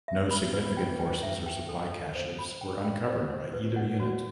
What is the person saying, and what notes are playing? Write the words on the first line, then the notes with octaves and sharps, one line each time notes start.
No significant forces or supply caches were uncovered by either unit.
E5
B5
B4
G5
G5
E5
G5
A4
A4
C5
B5
G5
G5
C5
C5
B4
F#5
F#4